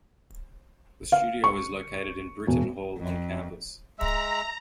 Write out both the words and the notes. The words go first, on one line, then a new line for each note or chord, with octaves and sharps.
The studio is located in Brittain Hall on campus.
F5
C#6
E1
F2
G#3 E5 A#5